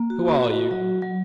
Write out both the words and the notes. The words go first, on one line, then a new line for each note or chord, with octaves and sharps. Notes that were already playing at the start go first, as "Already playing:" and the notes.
"Who are you?"
Already playing: A#3
F#4
F#4
F#3
F#3